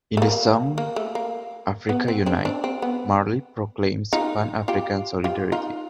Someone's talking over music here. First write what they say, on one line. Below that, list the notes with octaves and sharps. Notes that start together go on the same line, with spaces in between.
In the song "Africa Unite", Marley proclaims Pan-African solidarity.
A3
A#3
A#3
A3
A#3
B3
C4
C4 D4
C4 D4
C4
B3
D#4 F4
F4 G4
F4 G4
D#4 F4